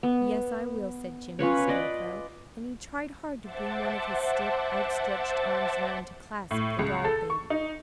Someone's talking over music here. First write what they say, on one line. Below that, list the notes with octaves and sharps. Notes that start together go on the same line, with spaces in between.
"Yes, I will," said Jimmy Scarecrow, and he tried hard to bring one of his stiff, outstretched arms around to clasp the doll-baby.
B3
C#4 F4 B4 C#5
B4 D5 D#5
C5 E5 F#5 A5 D6 A6
A2
C#2
A4
C#6
D#4